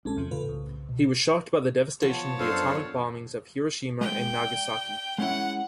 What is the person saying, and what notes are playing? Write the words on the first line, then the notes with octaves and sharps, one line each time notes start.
He was shocked by the devastation of the atomic bombings of Hiroshima and Nagasaki.
B1 G#3 C#4 D4 A4
E2 C3 F3
A2 C#3 F4 A4 B4
C2
B2
F3 B3 C#5 A5
F#2 D4 A4 C5 F5
G#3 G5
D5
G#3 C#4 E4 F#5